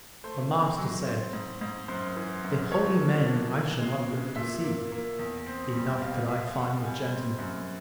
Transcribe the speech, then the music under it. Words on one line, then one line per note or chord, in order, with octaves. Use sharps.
The Master said, A holy man I shall not live to see; enough could I find a gentleman!
A3 C5
B2
F#3
C4
G#2
G#2
F#2 C5
E3
F#2
F3 C#5
A#3
D4
E3
G#3
C#3
A#2 E5
A#3
A#3
E2
C4
G3
B2 F5
G#3 E5
B2 F#5
G3 G#5
C4
F#2